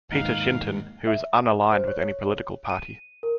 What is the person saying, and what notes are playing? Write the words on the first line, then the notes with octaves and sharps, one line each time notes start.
Peter Shinton, who is unaligned with any political party.
D#2 G#2 D#4 F5 F#5
E5
C5
C#5
D#7
A#4